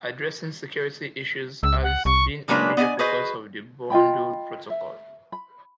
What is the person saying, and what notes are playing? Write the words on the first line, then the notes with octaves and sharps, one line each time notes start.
Addressing security issues has been a major focus of the bundle protocol.
C#2 E6
F#5
C2 C#6
C#3 F#3 G#3 A#3 D4 B4
B3 D5 D#5 F#5 G#5
F#4 G#4 B4 C5 D#5
F4 D#5 G5 B5
E5
B5